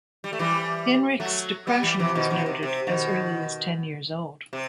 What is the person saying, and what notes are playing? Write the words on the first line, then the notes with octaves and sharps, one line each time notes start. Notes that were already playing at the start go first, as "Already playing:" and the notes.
Hinrichs' depression was noted as early as ten years old.
G3
A3
E3 G3
F#3 A3
G3 B3
E3 G3
C3 E3
B2 D#3
B2 D#3
C3
C3
B2 D#3
C3